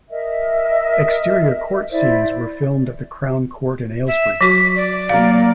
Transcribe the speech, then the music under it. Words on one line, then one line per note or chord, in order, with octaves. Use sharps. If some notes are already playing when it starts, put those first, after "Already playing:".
Exterior court scenes were filmed at the Crown Court in Aylesbury.
A#4 D#5 E5
E4 C5 D5 E5
E5
F#3 F#4 C#6 B6
D5
F#3 A#3 F5